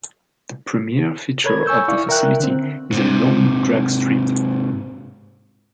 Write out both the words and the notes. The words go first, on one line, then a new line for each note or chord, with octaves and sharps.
The premier feature of the facility is a long dragstrip.
A4 A#4 C#5 B5 G#6
G#5 C#6 E6 G6
E4 D5 F5 C#6
A#4 E5 G5 F#6
D3 C4
G#2 C3